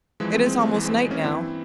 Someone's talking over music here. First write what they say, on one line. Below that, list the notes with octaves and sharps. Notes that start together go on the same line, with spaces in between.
It is almost night now.
F2 E3 F3 G#3
G#3 C4
G#3 C4
G3 A#3
E2 E3
G#3 C4
G#3 C4
A#3 C#4
G2 E3 C4 E4